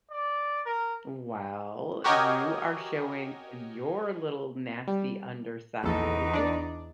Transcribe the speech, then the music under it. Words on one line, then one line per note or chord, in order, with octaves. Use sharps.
Well, you are showing your little nasty underside
D5
A#4
F#4 G4 A#4 C#5 D#5 G#5
G3
A#1 E2 D#4 A4
D4 D5